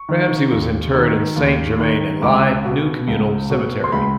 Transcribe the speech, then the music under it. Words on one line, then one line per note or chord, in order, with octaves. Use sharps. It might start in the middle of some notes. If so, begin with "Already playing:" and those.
Ramsay was interred in Saint-Germain-en-Laye New Communal Cemetery.
Already playing: C#6
D#3
D#2
D#3
D#2
D#3
C#2 D6
B2
C#2
B2
C6
C#2 B5